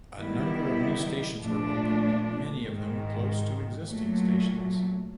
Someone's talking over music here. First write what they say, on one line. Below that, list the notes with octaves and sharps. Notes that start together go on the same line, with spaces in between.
A number of new stations were opened, many of them close to existing stations.
D#3 G3 B3 E4
A#2 F3 A3 D4
G#2 D#3 G#3
A#2 F#3 A3